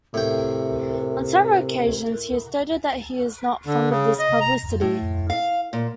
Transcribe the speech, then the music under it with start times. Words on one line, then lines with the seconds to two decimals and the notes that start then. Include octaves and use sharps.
On several occasions he has stated that he is not fond of this publicity.
0.14 A2 C3 A#4 G5
3.67 D3
3.90 C#3
4.19 D#5
4.41 A#5
4.81 A2
5.30 F5
5.73 A#2